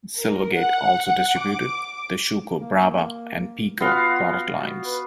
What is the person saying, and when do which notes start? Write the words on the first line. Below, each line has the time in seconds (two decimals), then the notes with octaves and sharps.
Silvergate also distributed the Schuco, Brawa, and Piko product lines.
0.18 A#4
0.54 F#5
1.37 D6
2.59 A#3
3.80 B3 F4 F#4 F5
4.84 B4